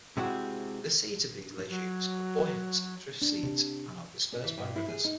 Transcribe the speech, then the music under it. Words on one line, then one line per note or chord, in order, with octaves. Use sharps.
The seeds of these legumes are buoyant drift seeds, and are dispersed by rivers.
C3 G#3 C4 E4 F#4
F#3
D4
C3
C#4
E3
G2
E4
G#4
D#4